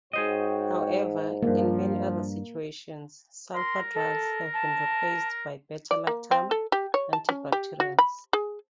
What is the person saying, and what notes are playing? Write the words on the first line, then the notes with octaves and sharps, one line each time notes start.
However, in many other situations, sulfa drugs have been replaced by beta-lactam antibacterials.
G#2 F#4 G#4 C5 C#5 D#5 G5
C#2 G2 F3 A#3
A#4 C6
A4
A5
D5
A#3
C4
A4
G4
C#5
A5
C#4
G4
F#4
B5
G#4